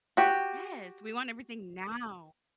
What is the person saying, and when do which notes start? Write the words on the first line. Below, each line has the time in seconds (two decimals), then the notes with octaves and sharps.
Yes, we want everything now.
0.17 F#4 G4